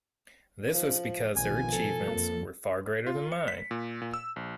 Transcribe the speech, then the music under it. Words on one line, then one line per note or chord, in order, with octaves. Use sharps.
This was because their achievements were far greater than mine.
F3
A#1 B2 D#3 F3 G#5
A4
F2 A#3
F4
C#7
B6
A#2
A#2
E6
A#1